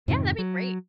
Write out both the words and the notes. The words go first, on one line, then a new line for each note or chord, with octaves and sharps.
Yeah, that'd be great.
F2 G#2 C3 D#3
F#3